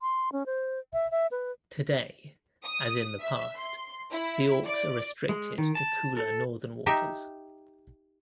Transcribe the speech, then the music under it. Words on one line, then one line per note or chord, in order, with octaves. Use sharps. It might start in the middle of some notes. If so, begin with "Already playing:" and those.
Today, as in the past, the auks are restricted to cooler northern waters.
C6
C#4
C5
E5
E5
B4
D#6
E5
C6
E4
D5
G#3
D#3
A5
A4
D#4 G4 E5